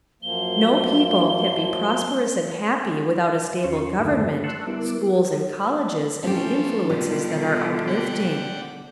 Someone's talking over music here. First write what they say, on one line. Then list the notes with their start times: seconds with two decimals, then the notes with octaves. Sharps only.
No people can be prosperous and happy without a stable government, schools and colleges and the influences that are uplifting.
0.22 F#2 F3 A#3 G7
3.64 E2 C#4 F4 C6 C#6
4.00 E2 G2 D3 D#3 A3 E5
4.44 A5 C6 C#6 E6 F#6
4.67 G3 B3 E4 A#4 D6
6.23 F3 A3 C4 C#4 G4
6.89 B2 D3 D#3 G3 F4
7.87 D5 F#5 G5